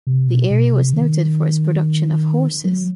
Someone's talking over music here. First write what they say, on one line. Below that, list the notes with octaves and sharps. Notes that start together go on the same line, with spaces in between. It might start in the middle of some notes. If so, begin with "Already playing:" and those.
The area was noted for its production of horses.
C3
B2
B2
C3
D#3
F#3